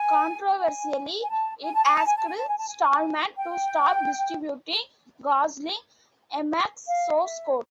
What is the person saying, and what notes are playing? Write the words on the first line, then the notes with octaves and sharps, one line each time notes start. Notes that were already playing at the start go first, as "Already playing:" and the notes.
Controversially, it asked Stallman to stop distributing Gosling Emacs source code.
Already playing: G#5
G#5
G#5
A5
G#5
A5
G#5
A5
G#5
A5
G#5
A5
G#5
A5
G#5
G5
F5
E5